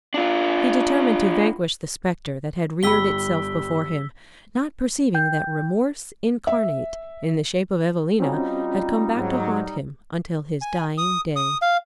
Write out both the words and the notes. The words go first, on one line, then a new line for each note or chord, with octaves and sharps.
He determined to vanquish the spectre that had reared itself before him, not perceiving that Remorse incarnate, in the shape of Evelina, had come back to haunt him until his dying day.
D4 F4
G1 G3 G4 B5 E6 B6 G7
G5 G6
E5
G3 C4 C#4 D#4 F4 F#4
G#2 F#3
G#5
D#6
D#6
F5